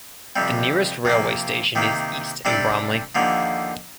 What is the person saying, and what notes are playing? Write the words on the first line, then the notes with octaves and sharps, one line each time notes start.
The nearest railway station is east in Bramley.
F2 C3 G3
C3 F3 A#3
C3 D#3 A#3
C3 G3 D4 A4 D5
D#2 D3 F3 A#3